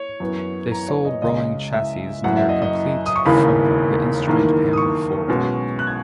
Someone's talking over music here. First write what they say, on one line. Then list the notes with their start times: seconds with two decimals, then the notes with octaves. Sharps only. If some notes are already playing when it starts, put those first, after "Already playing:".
They sold rolling chassis, near-complete from the instrument panel forward.
Already playing: C#5
0.20 F#2 E3 B3
0.71 A#5
0.89 C#5
1.05 D#5
1.22 C#2 C#3 G#3 D#5
1.73 E5
2.23 F#1 F#2 E3 F#5
2.37 E5
2.49 D#5
2.62 D#5
3.06 D#6
3.16 C#6
3.25 E1 D#2 C#3 E3 A#3 B5
4.27 F#1 E2 D#3 A#3
4.73 D#6
4.77 C#6
5.28 B1 B2 G#3 C#4
5.79 F#6
5.87 G#6